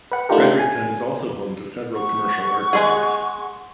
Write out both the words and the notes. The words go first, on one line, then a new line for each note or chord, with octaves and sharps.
Fredericton is also home to several commercial art galleries.
B4 F#5
A3 D4 D#4 F4 G4 A#4
G#5
F#5 C#6
G#3 G#4